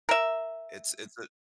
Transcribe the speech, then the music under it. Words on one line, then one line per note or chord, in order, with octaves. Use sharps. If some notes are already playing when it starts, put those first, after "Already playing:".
It's it's a
A#4 E5